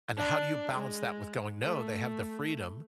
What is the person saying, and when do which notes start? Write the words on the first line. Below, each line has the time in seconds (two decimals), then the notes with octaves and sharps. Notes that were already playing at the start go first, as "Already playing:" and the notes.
And how do you balance that with going, "No, they have the freedom
0.17 D4
0.74 G#3
1.62 A3